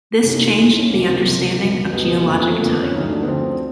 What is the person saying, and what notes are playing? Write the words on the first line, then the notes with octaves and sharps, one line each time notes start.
This changed the understanding of geologic time.
C2 C3 D#3 C#4
D#4
F4
C2 C3 D#3 E4
C#4
C#2 C3 F3 A#3
C4
A#3
C#2 C3 F3
C#2 B2
C#2 B2 B3
B3
A#3
F2 D3 F3 A#3
B3
A3
F2 D3 F3 A#3
B3
C#4
D2 D3 F3 D#4
D4
B3
D2 D3 F3 C4